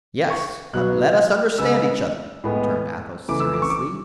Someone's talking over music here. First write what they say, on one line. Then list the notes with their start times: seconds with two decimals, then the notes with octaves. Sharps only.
"Yes, but let us understand each other," returned Athos, seriously.
0.30 C#6
0.73 B2 F#3 B3 F#6
1.58 C#3 G#3 B3 E6
2.44 A2 G#3 B3
3.28 C#3 E3 A3 D6
3.40 E6
3.53 D6
3.62 C#6
3.70 D6